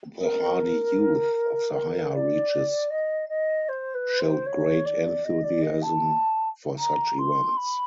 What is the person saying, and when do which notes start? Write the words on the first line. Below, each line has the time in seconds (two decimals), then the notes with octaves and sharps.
The hardy youth of the higher reaches showed great enthusiasm for such events.
0.18 A#4
2.13 D5
2.90 D#5
3.29 D#5
3.68 C5
3.94 B4
4.19 C5
4.46 C#5
4.85 D5
5.24 D#5
5.43 D5
5.62 D#5
5.82 A5
6.78 A#5
7.18 C6
7.57 B5